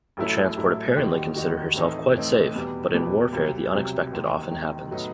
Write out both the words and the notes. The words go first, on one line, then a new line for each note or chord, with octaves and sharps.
The transport apparently considered herself quite safe-but in warfare the unexpected often happens.
A1 A2 F#3 A3 E4
A1 A2 F#3 A3 E4
D#2 D#3 G3 D#4 F#4
D#2 D#3 G3 D#4 F#4
A2 E3 A3 C4 D#4
A2 E3 A3 C4 D#4
E2 B2 G3 B3
E2 B2 G3 B3
C2 C3 F#3
C2 C3 F#3
E1 D#2 D#3
E1 D#2 D#3
A2 F#3 B3 D#4